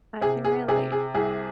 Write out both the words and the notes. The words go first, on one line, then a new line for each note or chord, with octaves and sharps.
I can relate.
C3 G#4
G#4
C3 G#4
G#4
C2 G#4